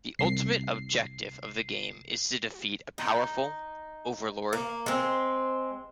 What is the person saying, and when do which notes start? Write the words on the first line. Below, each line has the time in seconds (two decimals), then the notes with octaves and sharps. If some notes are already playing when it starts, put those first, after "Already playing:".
The ultimate objective of the game is to defeat a powerful "Overlord".
0.19 C2 C7
2.98 D#4
4.53 A#3
4.86 G#3 C4